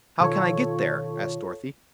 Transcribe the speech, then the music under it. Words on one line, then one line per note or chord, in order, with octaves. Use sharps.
"How can I get there?" asked Dorothy.
B2 D#3 F4 A4 C#5